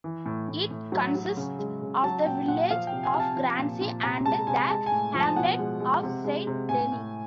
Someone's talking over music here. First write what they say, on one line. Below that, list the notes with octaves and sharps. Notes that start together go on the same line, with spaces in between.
It consists of the village of Grancy and the hamlet of Saint-Denis.
E3
A2
A2
A2
F#3
F#3
C#3
G#3
C#3
F#3 A5
A#2 G5
A#2 F#5
F3 F5
G5
C3
G#5
C3
A5
F3
A#2
A#2
C3 A#5
G#3 A5
C3 G#5
G#3 A5
G#5
A2
F3
A5
B2 F#5
G#3
G#3
C3
G#3
C3
A2 G#5
A2